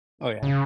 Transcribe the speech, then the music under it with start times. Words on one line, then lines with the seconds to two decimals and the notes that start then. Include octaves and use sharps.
Oh, yeah?
0.43 C#3